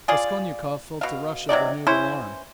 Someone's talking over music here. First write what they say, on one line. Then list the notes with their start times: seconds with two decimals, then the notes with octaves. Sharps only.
Raskolnikov felt a rush of renewed alarm.
0.08 F4 G#4 D5
1.01 B2 F5
1.49 C3 F#3 D#4 D5
1.87 E3 C#4 E4 C5